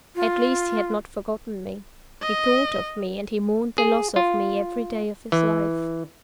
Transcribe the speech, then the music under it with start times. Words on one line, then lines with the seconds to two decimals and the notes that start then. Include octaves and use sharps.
At least he had not forgotten me; he thought of me, and he mourned the loss of me every day of his life.
0.15 F4
2.22 D#5
3.78 G#4
4.16 F4
5.32 E3